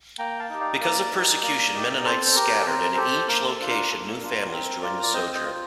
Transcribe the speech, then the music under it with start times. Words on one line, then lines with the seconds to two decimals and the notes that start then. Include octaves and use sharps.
Because of persecution, Mennonites scattered and in each location new families joined the sojourn.
0.19 A#3 G5 A#5
0.39 F5 A5
0.50 D#4 G4
0.60 D5 F5
0.81 A#3 A#4 D5
1.12 D#4 G4
1.42 A#3 A#4 D5
1.73 D#4 G4
2.04 C4 A4 C5
2.26 C5
2.35 G4 A#4
2.61 A4
2.66 C4 A#4
2.97 G4 A4 C5
3.28 A#3 A#4
3.49 A4
3.59 D4 F4
3.69 A#4
3.90 A#3 A4
4.21 D4 F4 A#4
4.52 C4 A#4
4.83 F4 A#4 D5
5.03 D5
5.14 C4 C5 D#5
5.35 C5 D#5
5.44 F4